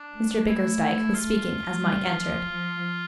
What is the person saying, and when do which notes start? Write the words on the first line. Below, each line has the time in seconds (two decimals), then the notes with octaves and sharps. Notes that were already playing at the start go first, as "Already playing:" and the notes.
Mr Bickersdyke was speaking as Mike entered.
Already playing: D4
0.13 A3
0.47 E4
1.14 F4
1.82 G3
2.16 F3
2.50 F3